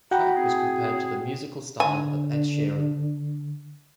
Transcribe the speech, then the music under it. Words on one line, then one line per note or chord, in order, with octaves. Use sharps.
The track was compared to the musical style of Ed Sheeran.
F#4 F#5 G5 A#5 B5
C4 E4 G#4
D3 G#5